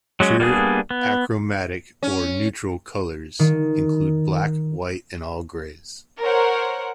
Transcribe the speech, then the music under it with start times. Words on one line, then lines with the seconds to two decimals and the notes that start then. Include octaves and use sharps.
Pure achromatic, or "neutral" colors include black, white and all grays.
0.20 F#3 G#3 C#4
0.40 G3 A#3 B3 D4 G#4
0.91 B3
2.03 C#4
3.39 D#3
6.21 A#4 C5 C#5 F#5